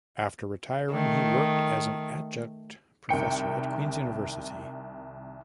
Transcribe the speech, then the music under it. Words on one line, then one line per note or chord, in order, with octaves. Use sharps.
After retiring, he worked as an adjunct professor at Queen's University.
D#3 A3
C2 D#3 G5 C#7